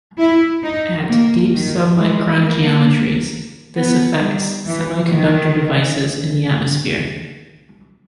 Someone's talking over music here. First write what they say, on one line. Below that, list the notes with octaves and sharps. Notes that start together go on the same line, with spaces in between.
At deep sub-micron geometries, this affects semiconductor devices in the atmosphere.
E4
D#4
A#3
D#3
G#3
A#3
B3
G3
E3
D#3